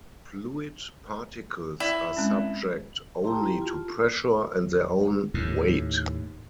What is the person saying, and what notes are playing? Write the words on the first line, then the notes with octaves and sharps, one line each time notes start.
Fluid particles are subject only to pressure and their own weight.
E4 D5
G#3 C4 C#4
E4 G4 G5 A5 A#5 C6
F4
D#2 A2